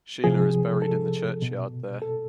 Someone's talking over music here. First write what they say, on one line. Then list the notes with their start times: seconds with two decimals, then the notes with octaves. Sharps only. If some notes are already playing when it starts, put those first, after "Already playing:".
Sheila is buried in the churchyard there.
0.24 C3 F3 G#4
0.82 A4
1.42 B2
2.02 A4